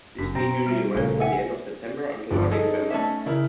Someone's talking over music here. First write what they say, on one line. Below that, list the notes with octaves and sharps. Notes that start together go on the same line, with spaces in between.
This meet usually ran from the end of September until early November.
F#1 F#2 D4
B2 C4 A#5
G3 F#4 E5
A#1 C#3 A3 A#4 F5
E5 F#5 G#5
G1 G2 F3
D#4 G#4 A4
A3 C#4 E5
C#3 E4 A#4